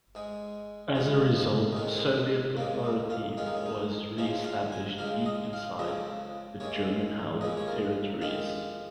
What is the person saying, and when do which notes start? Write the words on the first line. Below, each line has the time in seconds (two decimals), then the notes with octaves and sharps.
As a result, Soviet authority was re-established deep inside the German-held territories.
0.15 G#2 G#3
0.95 G#2 F3 G#3
1.72 D#4
1.75 G#2 D#3 G#3 C#4
2.57 D#2 C#3 G#3 A#3
2.84 D#4
3.10 F4
3.37 F2 D#3 G#3 F4
3.47 D#4
3.57 C#4
3.66 D#4
4.18 C#2 C#3 F3 G#3 C#4
4.44 F4
4.72 G#5
4.98 C#2 C#3 G#3 F5
5.26 D#5
5.53 F5
5.79 C#2 C#3 F3 D#5
6.60 D#2 C#3 G#3 C#5
7.41 D#2 C#3 F3 G#3 D#5
7.57 C#5
7.68 A#4
8.22 F2 D#3 G#3 F4